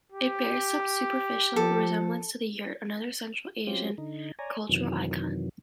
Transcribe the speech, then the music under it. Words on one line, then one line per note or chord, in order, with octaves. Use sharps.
It bears some superficial resemblance to the yurt, another Central Asian cultural icon.
G4
F3 A4
F#3 C4 C#4 F4 G4
D3 D#4
C#5 D5 G#5 A#5
F#2 C3 D#3 E3 F#3